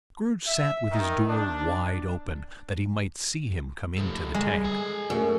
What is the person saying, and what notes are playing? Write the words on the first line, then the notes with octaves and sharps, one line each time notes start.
Scrooge sat with his door wide open, that he might see him come into the Tank.
E5
D#3
D4
F3 G4 A4
G3 G#3
A4 G#5
F#2 A3